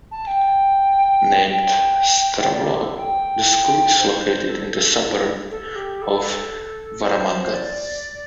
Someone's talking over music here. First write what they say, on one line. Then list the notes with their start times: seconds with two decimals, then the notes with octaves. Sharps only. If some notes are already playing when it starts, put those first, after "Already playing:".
Named Stromlo, the school is located in the suburb of Waramanga.
0.11 A5
0.27 G5
1.45 G5
2.46 D5
2.63 G4
2.80 A4
2.97 G5
3.99 C5
4.49 A4
5.51 A4
5.75 G4
6.02 A4
7.02 C5
7.53 D5